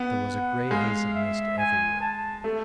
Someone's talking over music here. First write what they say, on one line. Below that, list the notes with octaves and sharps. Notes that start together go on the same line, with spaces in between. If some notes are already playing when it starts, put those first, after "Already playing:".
There was a gray haze of mist everywhere.
Already playing: B3
F#5
G#3 F5
E5
G#5
A5
A3